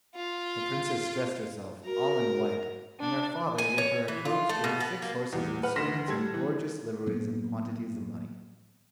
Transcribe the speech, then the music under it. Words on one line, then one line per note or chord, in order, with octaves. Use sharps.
The Princess dressed herself all in white, and her father gave her a coach with six horses and servants in gorgeous liveries and quantities of money.
F4
F#4 A#4
D4
G#5
C#5
E3
F4
A3
B2
B3
A#3
E2 G3
B4 F#5 F6
D2 C6 A#6 B6 E7
G3 A4 G#6
E3
A2 F#3 A#3 B3